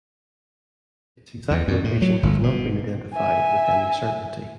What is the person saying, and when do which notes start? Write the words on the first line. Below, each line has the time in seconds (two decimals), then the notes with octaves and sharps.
Its exact location has not been identified with any certainty.
1.51 E2
1.68 F#2
1.84 A2
2.02 F#3
2.23 G1
2.43 B2
3.14 E5 G#5